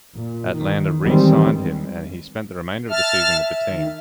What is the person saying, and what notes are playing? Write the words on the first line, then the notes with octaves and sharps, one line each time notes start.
Atlanta re-signed him, and he spent the remainder of the season with the team.
A#2
D#3
D#3 E3 G3 G#3 C4
E5 A5 F6
D#3